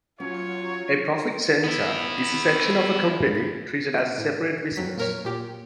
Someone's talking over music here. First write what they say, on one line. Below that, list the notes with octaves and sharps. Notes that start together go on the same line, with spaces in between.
A profit center is a section of a company treated as a separate business.
F#3 C#4 F4 C#5
B3 E4
A2
F2 F#3 B6
A#2 A#4 C#5
A#2 G4